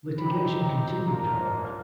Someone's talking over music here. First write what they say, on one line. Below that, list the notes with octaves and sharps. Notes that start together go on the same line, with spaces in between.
Litigation continued, however.
C4 D#4 G4 B5
A#5
A#3 D4 F4 A#5